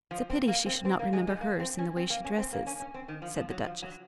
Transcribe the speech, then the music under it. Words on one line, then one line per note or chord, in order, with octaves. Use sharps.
"It's a pity she should not remember hers in the way she dresses," said the Duchess.
F3
C4
A#3
C4
C4
A#3
G#3
G#3
A#3
C4
C#4
C4
A#3
C#4
C4
A#3
C#4
C#4
C4
D#3
F3
F3
F#3
F3
F#3